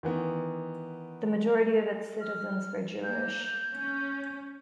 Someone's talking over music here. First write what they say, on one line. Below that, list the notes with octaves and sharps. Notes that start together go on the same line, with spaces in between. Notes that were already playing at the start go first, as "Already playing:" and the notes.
The majority of its citizens were Jewish.
D#3 E3 B3
F6
A#3 G6
C#4